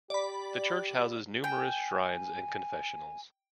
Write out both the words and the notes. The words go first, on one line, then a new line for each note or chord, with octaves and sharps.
The church houses numerous shrines and confessionals.
G4 D5 B5
G5 G#5